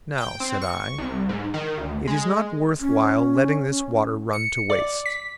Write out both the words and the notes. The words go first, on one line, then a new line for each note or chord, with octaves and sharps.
"Now," said I, "it is not worth while letting this water run to waste."
G5
C4
C#6
C2
G#2
D#3
D2
G#3
C#4
C#7
D5
B6